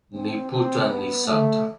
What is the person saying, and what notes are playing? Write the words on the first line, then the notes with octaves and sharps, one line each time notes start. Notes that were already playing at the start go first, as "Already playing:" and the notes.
Ni Puta ni Santa.
C4
C4
B3
A3